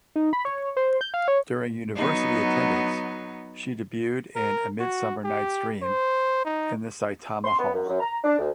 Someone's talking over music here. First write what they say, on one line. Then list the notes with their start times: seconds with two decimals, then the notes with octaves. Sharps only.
During university attendance, she debuted in "A Midsummer Night's Dream" in the Saitama Hall.
0.16 D#4
0.33 B5
0.45 C#5
0.77 C5
1.01 G6
1.14 F5
1.28 C#5
1.95 F#3 B3 D#4
4.36 A#4
4.80 F#4
5.24 G4
5.82 C5
6.45 D#4
7.44 C6
7.58 B3
7.73 F#2
7.88 F#2
8.00 A#5
8.24 D4
8.39 D2